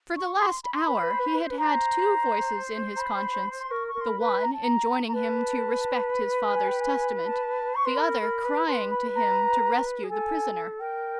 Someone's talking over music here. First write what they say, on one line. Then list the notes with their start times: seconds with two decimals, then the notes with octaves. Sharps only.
For the last hour he had had two voices in his conscience, the one enjoining him to respect his father's testament, the other crying to him to rescue the prisoner.
0.17 C#6
0.40 C6
0.64 B5
0.74 C6
0.84 B4 B5
0.95 C5
1.02 B4
1.10 C5
1.19 B4
1.26 C5
1.34 B4
1.41 C5
1.50 B4
1.58 C5 A#5
2.96 A#5
3.00 B5
3.59 C6
3.71 A#4 C#6
3.88 C#6
3.94 A#4
4.01 C6
4.06 B5
4.18 B4
4.24 B5
4.42 A#5
4.53 A5
4.64 A#5
5.08 A#5
5.12 B4 A5
6.54 G#5
6.68 G5
6.80 G#5
7.26 A5
7.73 C5 C#6
7.85 B4 C6
7.96 A#4 B5
8.21 A#4
8.44 B4
8.67 B4 C6
8.91 B5
9.15 A#5
10.03 G#4
10.09 A4 G#5
10.80 A#4 G5